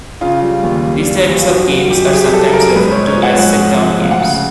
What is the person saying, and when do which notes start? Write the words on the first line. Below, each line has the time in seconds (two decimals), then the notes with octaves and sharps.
These types of games are sometimes referred to as "sit-down" games.
0.21 C#3 F4
0.42 G3
0.64 D#2
0.85 G3
1.06 G3
1.28 E3
1.41 F4
1.49 F#2 F#4
1.69 G3 F#4
1.91 F#2 G4
2.06 G4
2.12 G3 G#4
2.33 G3 A4
2.54 F#2 A#4
2.75 G#2 B4
2.87 C5
2.92 C#5
2.97 G#3
3.07 C#5
3.17 F3
3.23 F#5
3.39 G#2 F#5
3.60 F3
3.81 G#3
4.02 D2 F5
4.11 F#5
4.20 C#3 F5